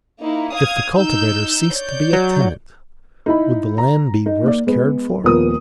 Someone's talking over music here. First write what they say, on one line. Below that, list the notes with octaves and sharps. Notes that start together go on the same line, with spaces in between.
If the cultivator ceased to be a tenant, would the land be worse cared for?
A#3 D#4 E4
F5 D#6 G#6
D#4 E6 G6
C#5 D5 G6
F#3
D#4 E4 B5
A#5
D#4
A#3 D5
G#3 B3
D#1 A#2 F3 B3 A#4 D#6